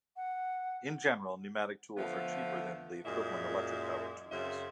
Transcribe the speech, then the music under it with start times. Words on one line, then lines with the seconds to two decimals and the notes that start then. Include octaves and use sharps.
In general, pneumatic tools are cheaper than the equivalent electric-powered tools.
0.17 F#5
1.98 D3 F3 A3 B3
3.05 F#2 A#2 G#3 E5
4.32 F#2 C#3 C4 E5